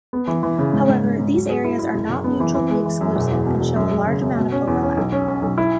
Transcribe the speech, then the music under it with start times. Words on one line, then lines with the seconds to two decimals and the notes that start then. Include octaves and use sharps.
However, these areas are not mutually exclusive and show a large amount of overlap.
0.13 B3
0.28 E3
0.43 E3
0.59 C#3
0.73 G#2
0.88 G#2
1.04 G#2
1.19 G#2
1.34 F#3
1.50 G#4
1.64 E4
1.79 E4
1.95 F#1
2.10 F#1
2.24 B3
2.40 E3
2.55 E3
2.70 G#3
2.85 E3
3.01 F#2
3.16 E1
3.31 E2
3.46 B2
3.61 E1
3.76 F#2
3.92 G#3
4.07 C#3
4.22 F#2
4.37 B2
4.52 C#4
4.67 E2
4.83 C#4
4.97 B1
5.12 C#4
5.28 C#4
5.42 B1
5.58 E4